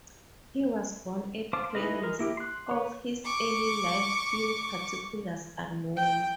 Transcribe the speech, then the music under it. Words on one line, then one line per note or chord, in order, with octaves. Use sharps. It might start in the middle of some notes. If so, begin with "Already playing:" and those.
He was born at Paris; of his early life few particulars are known.
C5 F5 A5 D6
D#4 E4 G#4 B4 D#5
G#3 A#4
A#3 E4 G4
C6 F#6
B4 C#5
C#6 D6
G5